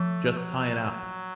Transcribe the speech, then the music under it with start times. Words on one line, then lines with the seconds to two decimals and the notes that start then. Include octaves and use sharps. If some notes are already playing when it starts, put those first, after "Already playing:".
Just tie it up!
Already playing: F3 A3
0.30 A3
0.38 F#3